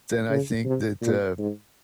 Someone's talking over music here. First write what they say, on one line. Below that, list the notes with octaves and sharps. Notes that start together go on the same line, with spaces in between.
then I think that, uh
C#3
C3
A#2
G#2